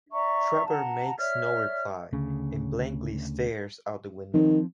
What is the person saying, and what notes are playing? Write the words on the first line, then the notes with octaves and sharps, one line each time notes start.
Trevor makes no reply, and blankly stares out the window.
D5 E5 A#5 C#6
F#5 A5 A#5
C#5 D5 E5 F6
D2 C#3
D#3 F3 C4